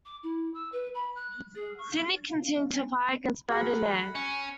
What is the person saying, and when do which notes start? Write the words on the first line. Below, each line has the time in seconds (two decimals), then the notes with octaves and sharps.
"Sydney" continued to fire against "Bande Nere".
0.05 D6
0.23 E4
0.54 E6
0.72 B4
0.94 B5
1.15 F#6
1.55 G#4
1.78 C#6
3.49 F#4 G#4 A#4 F#5 B5
4.15 C#4